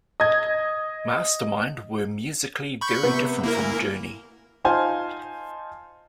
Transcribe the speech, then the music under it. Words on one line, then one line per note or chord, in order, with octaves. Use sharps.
Mastermind were musically very different from Journey.
D#5 G#6
B5 C#6 G6
C3 B3
A#3 E4 A#4
D2
D#4 F4 C5 F5 G#5 A5